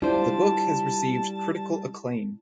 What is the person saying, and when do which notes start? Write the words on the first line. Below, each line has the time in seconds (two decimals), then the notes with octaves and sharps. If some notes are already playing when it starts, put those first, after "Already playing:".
The book has received critical acclaim.
0.02 G3 D4 E4 F4 C5 A5